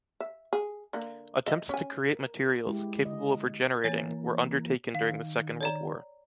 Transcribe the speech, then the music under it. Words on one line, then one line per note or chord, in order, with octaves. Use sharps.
Attempts to create materials,capable of regenerating, were undertaken during the Second World War.
E5
G#4
D3 A#3
D#5 E5
C#4 G#5
A#4
G#3 E4 G4
D3 D#5
E3 A#3 C#5 G#5 A6
D#3 F5
C#5 D5 A#5